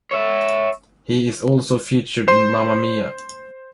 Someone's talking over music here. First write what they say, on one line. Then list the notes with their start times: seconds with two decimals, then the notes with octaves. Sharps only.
He is also featured in Mamma Mia!
0.11 C#5 E5
2.28 C5 C6